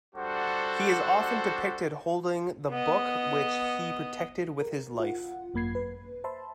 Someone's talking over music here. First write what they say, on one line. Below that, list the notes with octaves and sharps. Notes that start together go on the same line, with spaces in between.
He is often depicted holding the book which he protected with his life.
G3 D4 F#4 A4 C5 F#5
B3 D#5
A#4
F4 F#5
G#1 F#2 A#3 B5 G#6 C7
B4
C5 E5 A5 B5 C6